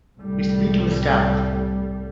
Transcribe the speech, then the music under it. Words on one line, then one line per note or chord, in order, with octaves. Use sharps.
It’s beautiful stuff.
C2 A2 G3